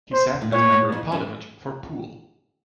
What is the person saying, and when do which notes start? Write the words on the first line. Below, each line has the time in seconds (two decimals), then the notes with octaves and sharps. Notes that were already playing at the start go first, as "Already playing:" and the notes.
He sat as Member of Parliament for Poole.
0.12 C5
0.42 A2
0.52 A#2 C#5
0.72 A2
0.92 F2
1.12 F#2